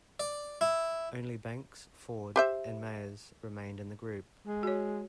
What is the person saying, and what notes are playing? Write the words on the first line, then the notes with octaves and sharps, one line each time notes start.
Only Banks, Ford and Mayes remained in the group.
D5
E4
G4 C5 E5
G#3
F#4 C#5